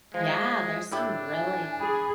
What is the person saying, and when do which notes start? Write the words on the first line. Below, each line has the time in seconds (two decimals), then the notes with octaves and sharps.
Yeah, there's some really
0.14 F3 G#3
0.92 A2 D4 E4 G4
1.33 G#5
1.80 G#4 B5